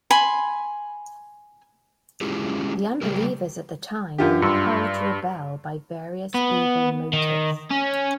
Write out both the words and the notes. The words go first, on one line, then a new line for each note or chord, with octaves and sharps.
The unbelievers at the time were impelled to rebel by various evil motives.
G#5 B5 C6
G#3 C#4 E4 F4 G4 G#4
C#3 G3 G4 A#4
F#2 D4 D#4 F4 G4 A#4
G2 C6 E6 C#7
B3
D#3
C#4